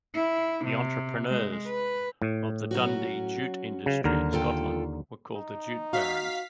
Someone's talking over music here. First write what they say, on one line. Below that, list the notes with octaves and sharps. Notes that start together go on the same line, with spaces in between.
The entrepreneurs of the Dundee jute industry in Scotland were called "the Jute Barons".
E4
C3
G#3
B4
A2
F#3 C#4 F#4
C#3
D#2 D3 A#4
F4 A4 G5
D#4
F#4 F5 B6